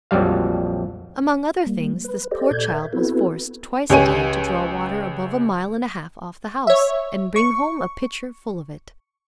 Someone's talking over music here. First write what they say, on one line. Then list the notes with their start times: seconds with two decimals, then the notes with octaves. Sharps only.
Among other things, this poor child was forced twice a day to draw water above a mile and a half off the house, and bring home a pitcher full of it.
0.11 A#1 F2 F#3 G3 F5
1.66 G3 A#3
2.04 B4
2.31 G4 A4 C5 D5 D#5
2.51 A#2 A4 D5 G6 G#6
2.74 A#4 E5
2.93 B3 C4 E4 F#4 A4 B4
3.90 C#2 G4 C#5 G#5 D#7
6.67 C#5 E5
7.36 C#6